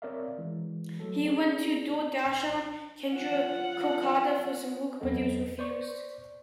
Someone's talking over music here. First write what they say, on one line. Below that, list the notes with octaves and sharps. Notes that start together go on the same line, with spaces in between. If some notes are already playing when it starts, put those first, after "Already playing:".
He went to Doordarshan Kendra Kolkata for some work, but he was refused.
C4 A#4 C#5 D5 E5 F5
E3 G#3
F#3 A3 A4
C4 C#4 G#4 B4 D5
A#1
F4 F#5
E2 F#3 B3 C4 A4 D#5
C5 D5 C#6